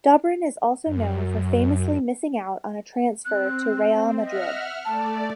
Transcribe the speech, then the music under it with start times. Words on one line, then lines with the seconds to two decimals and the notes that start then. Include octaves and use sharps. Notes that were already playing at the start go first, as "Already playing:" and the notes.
Dobrin is also known for famously missing out on a transfer to Real Madrid.
0.86 F#2
3.25 C4 F#6
4.22 D#5 E5 F#5 F6
4.85 A3 D5 A5